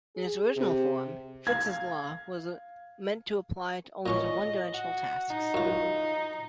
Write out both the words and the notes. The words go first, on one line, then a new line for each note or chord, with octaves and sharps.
In its original form, Fitts's law is meant to apply only to one-dimensional tasks.
G#4
C3
F5 G#6
A#2 C#4 D#5 C#6
F#4
D#4
F#2 F4